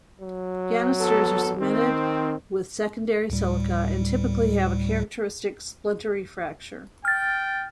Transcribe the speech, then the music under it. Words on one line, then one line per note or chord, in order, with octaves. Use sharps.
Ganisters are cemented with secondary silica and typically have a characteristic splintery fracture.
F#3
G#1 B3 A4
D#3 C4
D2 A2 G3
G5 F6 A6